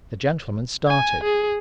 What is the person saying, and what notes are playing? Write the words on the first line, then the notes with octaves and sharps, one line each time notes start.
The gentleman started.
G#5
G#4